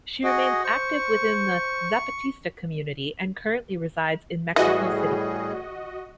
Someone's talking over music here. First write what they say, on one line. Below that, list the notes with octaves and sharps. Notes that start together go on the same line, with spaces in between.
She remains active within the Zapatista community and currently resides in Mexico City.
F#4 G#4 D#5
C5 C#6
A2 E3 G3 F#4 G#4 D#5